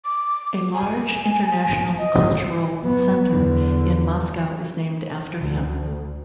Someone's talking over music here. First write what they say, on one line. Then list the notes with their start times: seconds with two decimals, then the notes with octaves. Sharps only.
A large international cultural center in Moscow is named after him.
0.05 D6
0.74 G#5
1.98 D#5
2.82 F#3 B3
3.30 E2 D3
5.39 D2